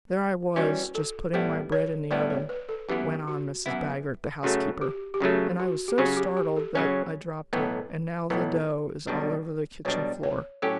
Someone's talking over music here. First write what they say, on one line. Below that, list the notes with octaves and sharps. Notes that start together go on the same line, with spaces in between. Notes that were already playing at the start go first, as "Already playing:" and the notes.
There I was, just putting my bread in the oven," went on Mrs. Baggert, the housekeeper, "and I was so startled that I dropped it, and now the dough is all over the kitchen floor.
E3 G3 C#4 F#4
A4
A2 G3 B3 E4 G4
C#5
A2 G3 B3 E4 D5
C#5
B4
A4
F#2 E3 B3 E4 G4
F#4
F#2 E3 B3 E4
F#2 C#3 F#3 A3 F#4
G4
G4
F#2 C#3 F#3 A3 F#4
F#4
G4
C#3 F#3 C#4 F#4
G4
G4
A4
C#3 F#3 C#4 C#5
B1 A2 E3 B3 B4
B1 A2 E3 B3 C#5
B1 B2 G3 D4
B1 B2 G3 D4 C#5
C#5
A2 F#3 C#4 G4 A4